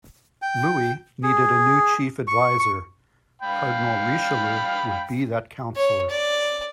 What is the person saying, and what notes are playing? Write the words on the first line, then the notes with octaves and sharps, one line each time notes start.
Louis needed a new chief advisor; Cardinal Richelieu would be that counsellor.
G5
G#4
C#6
C#6
F5 G5 B5
C#5
D5